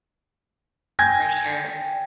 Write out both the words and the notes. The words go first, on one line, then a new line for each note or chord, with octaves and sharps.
for sure.
G5 G#5 G6 G#6 A#6